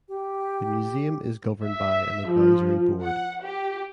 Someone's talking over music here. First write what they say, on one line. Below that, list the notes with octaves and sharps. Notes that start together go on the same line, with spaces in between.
The museum is governed by an advisory board.
G4
E5
F3
F#5
G4